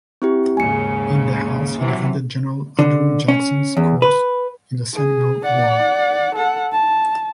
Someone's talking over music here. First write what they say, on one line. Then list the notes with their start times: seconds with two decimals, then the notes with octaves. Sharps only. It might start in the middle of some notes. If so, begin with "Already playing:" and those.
In the House, he defended General Andrew Jackson's course in the Seminole War.
0.22 C4 E4 G4
0.57 D#2 G#2 C#3 G#5 C#7
1.78 C3 E3 F#3
2.79 D3
3.28 C#4
3.77 E2
4.02 B4
4.94 G#4
5.43 D5 F#5
6.35 A4 F#5
6.72 A5